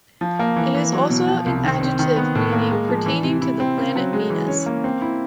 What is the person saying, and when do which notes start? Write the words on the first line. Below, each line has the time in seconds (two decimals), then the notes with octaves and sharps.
It is also an adjective meaning "pertaining to the planet Venus".
0.21 F3
0.39 A#3
0.56 E3
0.75 E3
0.93 F#3
1.10 B2
1.28 F3
1.46 C2
1.64 D#3
1.81 C4
1.99 D#3
2.17 B3
2.35 A2
2.52 A#3
2.70 G#3
2.89 F3
3.06 E3
3.23 C3
3.41 E4
3.60 C4
3.78 C#3
3.96 F#3
4.13 G#3
4.30 E3
4.48 C#4
4.66 A#3
4.84 C4
5.02 E4